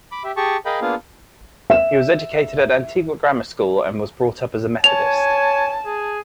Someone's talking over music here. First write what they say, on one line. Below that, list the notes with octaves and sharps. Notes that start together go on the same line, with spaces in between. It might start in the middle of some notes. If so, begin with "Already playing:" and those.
He was educated at Antigua Grammar School and was brought up as a Methodist.
B5 D6
G4 E5
G4 G#4 A5 C#6
G#4 A#4 D#5 F5 G5 B5
A#3 B3 D4 F4 G#4 F5
E5 E7
C#5 G#5 A5 F7
G#4